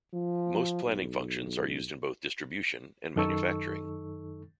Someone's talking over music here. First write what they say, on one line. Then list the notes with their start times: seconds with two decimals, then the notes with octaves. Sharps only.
Most planning functions are used in both Distribution and Manufacturing.
0.14 F3
0.84 B1
3.16 F#2 D#3 D#4 A4 C#6 E6